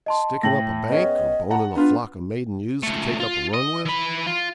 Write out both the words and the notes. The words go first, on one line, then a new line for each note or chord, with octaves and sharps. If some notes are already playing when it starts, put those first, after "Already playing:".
Sticking up a bank, or boning a flock of maiden ewes to take up a run with?
D#5 A5 C6
A2 G5 A5 A#6 F#7
B3 C#4 G#4 D#5
F#5 A5 A#5
B3 D4 F4 B4
C#2 A3
F4
D#5
E3 B5
F4